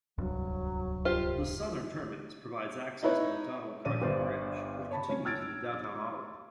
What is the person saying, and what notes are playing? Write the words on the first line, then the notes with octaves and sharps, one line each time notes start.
The southern terminus provides access to the Macdonald-Cartier Bridge, which continues into downtown Ottawa.
D1 C2 G2 F#3
F4 G4 C5
D#4 E4 B4 C#5
A#1 C#4 D5 D#7
G1 G2 B4 C5 D5
C#5 A5 B5
C3 C#4 C#5
E6 F6 G#6 A6 D7